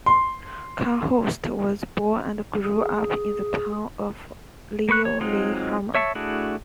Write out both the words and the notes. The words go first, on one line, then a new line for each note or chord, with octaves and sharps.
Kai Holst was born and grew up in the town of Lillehammer.
C6
G#4
A#3 B4 C#6 F#6
C#5
F#3 G#3 C4 D#4 F4
C#5 E5 A5 C#6
A3 D4 E4 F#4 G#4